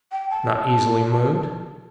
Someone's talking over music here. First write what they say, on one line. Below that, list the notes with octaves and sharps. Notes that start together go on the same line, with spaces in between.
"Not easily moved?"
G5
A5